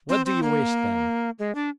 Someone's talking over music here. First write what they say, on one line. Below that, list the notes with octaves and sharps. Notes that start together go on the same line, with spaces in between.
"What do you wish, then?"
C4
C4
A#3
G#3
D4